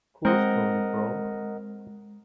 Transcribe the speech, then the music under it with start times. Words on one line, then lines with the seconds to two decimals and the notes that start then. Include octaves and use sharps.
Cool story, bro!
0.25 G#3 C4 A#4 D#5 F#5